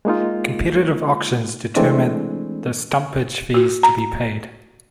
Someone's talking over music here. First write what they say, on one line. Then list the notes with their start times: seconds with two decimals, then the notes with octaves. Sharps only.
Competitive auctions determine the stumpage fees to be paid.
0.05 G#3 A#3 D#4 F4
1.76 E3 G#3 A3 C4 D4
3.54 F#4
3.83 A#5